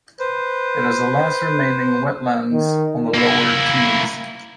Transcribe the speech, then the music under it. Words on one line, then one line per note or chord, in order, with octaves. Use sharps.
It is the last remaining wetland on the lower Tees.
B4 C5
D#3
A#3 E4